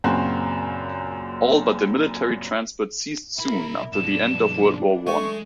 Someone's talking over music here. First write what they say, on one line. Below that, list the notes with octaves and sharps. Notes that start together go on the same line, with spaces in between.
All but the military transport ceased soon after the end of World War One.
F#2 A#2 C#3 C4 F#4
B1 E4 A#4 B5
G2 B2 E3 F#3 D4 E7
G#3 A3 C#6